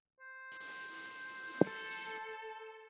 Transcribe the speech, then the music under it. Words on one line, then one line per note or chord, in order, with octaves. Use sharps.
She’s laughing at me because i have soap on my face.
C5
A4